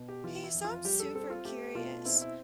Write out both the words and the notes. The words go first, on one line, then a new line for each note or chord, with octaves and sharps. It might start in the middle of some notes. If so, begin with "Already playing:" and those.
Hey, so I'm super curious.
Already playing: B2
G4
E3 F4
E4
F2
F4
G3 G4
A4
C4 A4
F4
A3 G4
B2 F4
C4 E4
E4